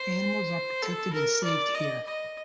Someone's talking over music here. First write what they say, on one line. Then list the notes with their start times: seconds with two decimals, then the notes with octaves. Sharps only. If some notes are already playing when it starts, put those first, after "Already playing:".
Animals are "protected and saved" here.
Already playing: C5
0.82 A4
1.12 A#4
1.43 D5
1.75 D#5
2.06 D#5